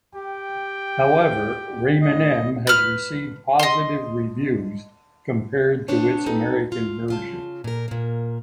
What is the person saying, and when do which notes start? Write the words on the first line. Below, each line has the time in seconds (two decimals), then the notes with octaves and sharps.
However "Rayman M" has received positive reviews compared to its American version.
0.14 G4 G5
2.02 A2 D#5
2.67 B4 F6
3.59 D#5 C6
5.88 C3 B3 D4 C5 C#5 A5
6.26 B3 C4 D#4 A4 B4
6.72 F4
7.08 C#3 F4 A5
7.64 A#2 A#4
7.88 A#2 A#3